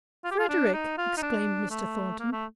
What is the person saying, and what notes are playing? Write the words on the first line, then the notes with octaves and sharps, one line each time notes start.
'Frederick!' exclaimed Mr. Thornton.
F4
G4
F4
D4
D#4
F4
D#4
D4
A3
A#3
A3